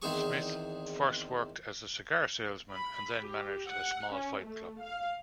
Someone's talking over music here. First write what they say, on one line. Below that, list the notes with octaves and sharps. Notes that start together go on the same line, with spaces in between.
Smith first worked as a cigar salesman, and then managed a small fight club.
E2 D#3 C4 G#4 C#6
B5
G4
F#5
C#4
A3
F5